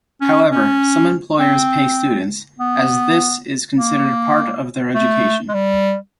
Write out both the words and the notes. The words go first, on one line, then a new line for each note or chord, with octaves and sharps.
However, some employers pay students, as this is considered part of their education.
C#4
C#4
C4
B3
A#3
A3
G#3
G3